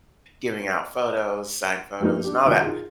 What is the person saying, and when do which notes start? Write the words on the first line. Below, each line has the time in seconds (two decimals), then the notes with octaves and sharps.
giving out photos, signed photos and all that,
2.00 F3 G3 A3 A#3 D#4
2.24 D4 G4
2.45 B2 D#3 F4
2.62 D#4 F4 G#4